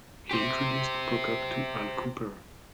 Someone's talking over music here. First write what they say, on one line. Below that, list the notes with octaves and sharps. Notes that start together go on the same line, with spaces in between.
He introduced Prokop to Al Kooper.
G4 C5